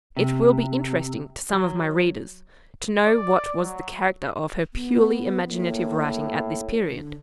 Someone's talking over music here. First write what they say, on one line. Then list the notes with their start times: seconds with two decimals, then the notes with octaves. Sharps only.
It will be interesting to some of my readers to know what was the character of her purely imaginative writing at this period.
0.17 C3
1.52 F#3
3.06 D5
3.63 F#3
4.74 B3
5.50 A2 A#3
6.85 D3